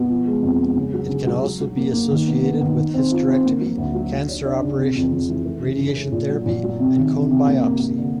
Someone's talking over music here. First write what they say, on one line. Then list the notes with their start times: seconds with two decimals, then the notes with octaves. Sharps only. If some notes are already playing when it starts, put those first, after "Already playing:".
It can also be associated with hysterectomy, cancer operations, radiation therapy and cone biopsy.
Already playing: B2
0.09 F3
0.26 G#3
0.43 F2
0.59 G#3
0.76 C#3
0.94 F#3
1.09 C#3
1.27 F#3
1.44 F#3
1.61 F#3
1.77 A#3
1.93 A#3
2.11 D#3
2.27 B3
2.43 B3
2.61 D#3
2.77 D#3
2.94 C4
3.11 F4
3.27 C4
3.44 A#3
3.61 F#3
3.77 D2
3.94 F#3
4.12 F#3
4.29 D4
4.45 D4
4.62 C#3
4.79 C3
4.96 F2
5.12 F2
5.29 E3
5.46 A3
5.62 C#3
5.79 C#3
5.96 A3
6.12 A#2
6.29 F#3
6.46 A#2
6.63 F#3
6.79 C3
6.96 D#3
7.13 C3
7.30 C3
7.46 A#3
7.63 A#3
7.80 A#3
7.97 D3